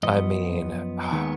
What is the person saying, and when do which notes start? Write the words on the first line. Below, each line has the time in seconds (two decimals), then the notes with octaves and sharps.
I mean, uh
0.03 F#2 F3 B3 D#5
1.11 D#2 D#3 G#3 B3